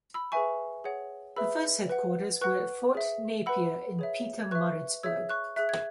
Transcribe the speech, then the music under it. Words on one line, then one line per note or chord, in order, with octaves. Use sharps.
The first headquarters were at Fort Napier in Pietermaritzburg.
B5 E6
G#4 B4 E5 G#5 C#6
G#4 C#5 F#5
G#4 B4 E5 B5 E6
B4 F#5
B4 F#5 C#6 F#6
G#4 E5
B4 F#5 B5 E6
G#4 C#5 E5
G#6
B4 E5 C#6 F#6
G#4 C#5 E5 E6 G#6
C#6 F#6
G#4 E5 F#6
G#6